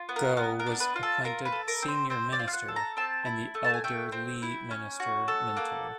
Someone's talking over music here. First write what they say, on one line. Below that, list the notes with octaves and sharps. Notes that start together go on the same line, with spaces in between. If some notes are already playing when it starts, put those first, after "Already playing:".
Goh was appointed Senior Minister, and the elder Lee Minister Mentor.
Already playing: F4
B3
A#4
B3 A#4
A#4
D4
B4
F4
A4
F4 A#4
B4
A4
A#4
C4
C5
C4 C5
D5
F4
F5
F#5
A4
A#5
C4 A5
E4
A3
A5
G#5
A3 G5
C4
E4
C#4
F#4
A4
A#3 F#5